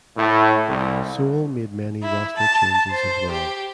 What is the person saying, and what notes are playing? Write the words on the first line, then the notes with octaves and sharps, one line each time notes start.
Seoul made many roster changes as well.
A2
C2
E4
A5
C5
G4